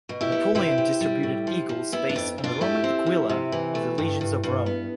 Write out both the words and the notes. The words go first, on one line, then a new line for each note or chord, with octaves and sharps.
Napoleon distributed "eagles" based on the Roman aquila of the legions of Rome.
B2
E4 G4
B3
C3 E4 G4
C3
G3
A2
F3
F3
B3 E4
D4
F2
F2
D4 F4
A3 E4 G4
C4
F3
C3
E3
A3
G2
G2
G2
B3